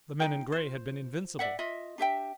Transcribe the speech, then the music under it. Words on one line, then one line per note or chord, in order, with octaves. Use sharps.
The men in gray had been invincible.
D#4 G#4 G5
F4 C5
D5 E5 F#5
F4 D#5 E5
D4 G4 E5 G5